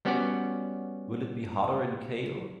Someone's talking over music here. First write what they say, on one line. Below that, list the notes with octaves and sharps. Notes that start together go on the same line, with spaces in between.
Will it be hotter in Cale?
G3 B3 C#4 F#4 C#5 D5